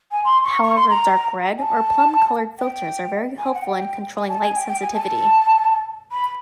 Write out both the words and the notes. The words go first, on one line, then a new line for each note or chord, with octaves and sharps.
However, dark red or plum colored filters are very helpful in controlling light sensitivity.
G#5
C6
C#6
C#6
C6
A#5
G#5
A5
G5
G#5
G5
F#5
G5
G#5
A5
G#5
G5
G5
G#5
A5
B5